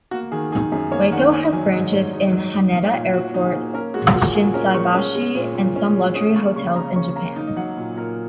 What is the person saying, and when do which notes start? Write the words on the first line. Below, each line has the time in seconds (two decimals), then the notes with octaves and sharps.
Wako has branches in Haneda Airport, Shinsaibashi, and some luxury hotels in Japan.
0.11 A#3 F#4
0.32 D#3 G#4
0.52 D#4 G#4
0.72 F#2 G#4
0.92 A#3 C#5
1.12 D#3 F#5
1.32 D#4 G#5
1.53 F#3 G#5
1.73 G#2 D#5
1.93 G#2 C#5
2.13 D#4
2.23 D#5
2.33 F#3
2.53 D#4
2.74 A#3
2.83 C#5
2.93 A#2
3.14 A#2 F#4
3.34 D#4
3.44 G#4
3.54 A#3
3.74 C#4 A#4
3.94 G#3 F#4
4.15 A#2 F#4
4.34 A#2 G#4
4.54 C#4 A#4
4.74 G#3 C#6
4.95 C#4
5.15 G#3
5.35 A#2
5.55 A#2
5.76 C#4
5.96 G#3
6.15 C#4 D#6
6.36 A#3 C#6
6.56 C#3 C#6
6.76 C#3 A#5
6.96 C#4 C#6
7.16 A#3 A#5
7.36 D#4
7.47 D#5
7.57 F#3 F#5
7.77 A#2
7.97 A#2 A#4